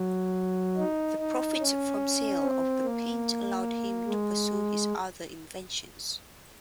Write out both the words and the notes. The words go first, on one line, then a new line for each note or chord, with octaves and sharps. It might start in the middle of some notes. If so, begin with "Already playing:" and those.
The profits from sale of the paint allowed him to pursue his other inventions.
Already playing: F#3
D#4
D#4
C#4
C4
A#3
G#3